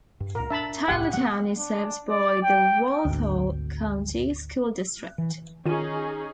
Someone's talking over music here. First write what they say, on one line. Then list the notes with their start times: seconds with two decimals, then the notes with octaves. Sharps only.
Tylertown is served by the Walthall County School District.
0.20 G2
0.35 C#2 A#2 A#4
0.50 D4 E5 A5 B5
0.88 D#1 C2 A2 G4 F#5 G#5
1.13 F#3 B3 F#5
1.57 D4
2.08 D5
2.43 G5
3.05 G#1 D2
5.18 E3
5.66 D#3 C#4 D#4 F4 G#4 D#7